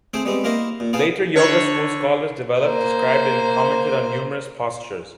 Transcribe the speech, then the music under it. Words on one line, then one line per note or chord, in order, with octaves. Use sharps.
Later yoga school scholars developed, described and commented on numerous postures.
A3 C4 G#4 C5 G5
G3 G#3 B3 C4
A#3 E4 A#4 C5 D#5
A#2
B3 G#4 F5 G5 A5
D3 C#5
A#3 C5